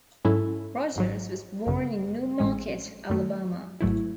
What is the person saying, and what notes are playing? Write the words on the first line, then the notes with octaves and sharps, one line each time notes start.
Rogers was born in New Market, Alabama.
G#2 F#3 C#4 E4 A4
G#1 G#2 F#3
G#1 F#2 C#3
A1 A2 G#3 C#4
F#2 D#3 A3
G#1 G#2 F#3 A3 E4